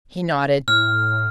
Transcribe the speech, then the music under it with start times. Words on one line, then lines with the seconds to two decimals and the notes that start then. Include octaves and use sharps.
He nodded.
0.68 A2 F6